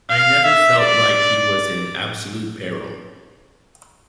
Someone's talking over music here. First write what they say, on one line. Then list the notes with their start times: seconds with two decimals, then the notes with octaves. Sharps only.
I never felt like he was in absolute peril.
0.10 F5
0.44 E5
0.79 D5